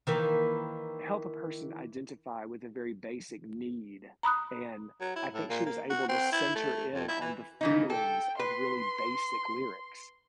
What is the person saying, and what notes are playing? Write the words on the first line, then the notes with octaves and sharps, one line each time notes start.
help a person identify with a very basic need, and I think she was able to center in on the feelings of really basic lyrics.
D#3 E3 A#3
A#5 B5 D#6 F#6
F#3
E4
A2
A#2
A#3
F#4
C4
E4
A3
F2
E4
E3
C#3 E3 D#4
A4 G5
B4 C6